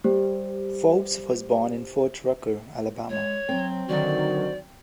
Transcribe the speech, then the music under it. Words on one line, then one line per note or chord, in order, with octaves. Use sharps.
Forbes was born in Fort Rucker, Alabama.
G3 G4 C5
G#3 C#5
F#3 C4
D3 D#3 F#3 F#4 D5